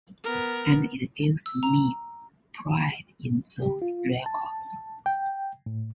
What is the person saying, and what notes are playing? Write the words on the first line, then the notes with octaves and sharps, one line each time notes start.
And it gives me pride in those records.
B3 A#4
E6
A#5
G4
F4
A5
G5
A2